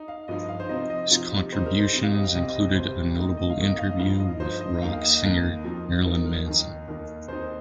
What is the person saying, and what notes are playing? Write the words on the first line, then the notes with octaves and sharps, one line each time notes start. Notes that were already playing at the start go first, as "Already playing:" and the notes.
His contributions include a notable interview with rock singer Marilyn Manson.
Already playing: D#4
F5
G2 F3 D#4 D#5
F5
C5
C3 F3 C4 D#4 D#5
D#5
C3 F3 C4 D#4 F4
G4
C3 G3 C4 D#4 C5
A#4
C5
C3 G3 C4 D#4 D#5
F5
D#5
F5
C2 C3 G3 C4 D#5
D#5
C2 C3 G3 C4 C5
C3 D#3 A#3 D#4
D#5
F5
C3 D#3 A#3 D#4 D#5
D#5
F5
D#5
G2 F3 D#4 F5
D#5
G2 F3 D#4 C5
D#5
D#2 D#3 A#3 D#4 F5
F5
D#5
D#5
D#2 D#3 A#3 D#4
F2 F3 D#4
F2 F3 D#4 A#4
A#4
D#2 D#3 A#3 D#4
D#2 D#3 A#3 D#4
D#2 D#3 C4 D#4 C5